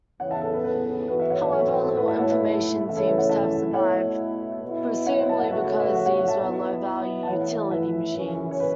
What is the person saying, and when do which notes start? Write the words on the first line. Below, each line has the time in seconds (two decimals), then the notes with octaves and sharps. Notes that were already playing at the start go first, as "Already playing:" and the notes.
However little information seems to have survived, presumably because these were low-value utility machines.
0.20 E2 C#3 E3 B3 C#5 F#5
0.31 E5 A5
0.42 A4
0.52 B4
0.64 B4
1.08 E3 B3 F#4 B4
1.19 B4 E5
1.30 C#5 F#5
1.42 B4 E5
1.52 A4 C#5
1.67 B4
1.82 A4
1.97 A2 A3 E4 B4
2.08 E5 A5
2.18 C#5 F#5
2.30 B4 E5
2.85 C#3 E3 A3 E4 E5
2.97 A4 C#5
3.07 B4 E5
3.18 C#5 F#5
3.29 E5 A5
3.73 B2 A3 E4 C#5 F#5
4.62 B2 B3 E4
5.06 C#5 F#5
5.29 A5
5.39 F#5
5.51 C#3 A3 F#4 B4 E5
5.65 A4 C#5
5.80 B4 E5
5.95 C#5 F#5
6.06 C#5 F#5
6.17 C#5 F#5
6.28 E5 A5
6.39 B2 B3 E4
7.23 A5
7.27 E3 A3 E4 C#5 F#5
7.71 B4 E5
8.16 F#2 C#3 E3 C#4 B4
8.51 C#5
8.60 B4